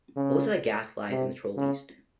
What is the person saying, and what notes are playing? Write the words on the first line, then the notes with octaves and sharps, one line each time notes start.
Most of the gas lies in Troll East.
C#3
C3
C#3